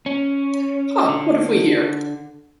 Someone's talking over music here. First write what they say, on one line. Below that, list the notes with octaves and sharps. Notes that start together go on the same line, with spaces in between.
Ha, what have we here!
C#4
D3